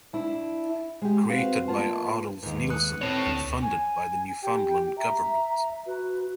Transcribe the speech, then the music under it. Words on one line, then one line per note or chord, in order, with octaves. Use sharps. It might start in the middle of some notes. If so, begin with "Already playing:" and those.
Created by Adolf Neilsen and funded by the Newfoundland government.
D4 E4
G#3 G4
C4 F#4 B4 F5
A#3 B3 F4 A5
D#2 G#2 B4
D#6 F#6 C#7
C4 A4 B4 C#5
D2
G#5
G4 G5
E5 A#5
F#4 B4